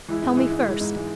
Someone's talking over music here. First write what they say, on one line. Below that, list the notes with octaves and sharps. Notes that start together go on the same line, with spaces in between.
"Tell me first."
E3 G#3 E4
G#2
E3 G#3 E4
G#2
E3 G#3 E4
G#2
E3 G#3 E4